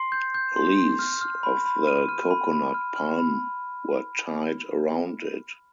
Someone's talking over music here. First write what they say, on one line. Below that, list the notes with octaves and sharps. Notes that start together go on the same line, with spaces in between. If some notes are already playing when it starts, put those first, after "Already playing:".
Leaves of the coconut palm were tied around it.
Already playing: C6 C7
G6
G6
C6
C6
F6
F6
B5
B5
F6 D#7
F6
B5
B5
F6
F6
B5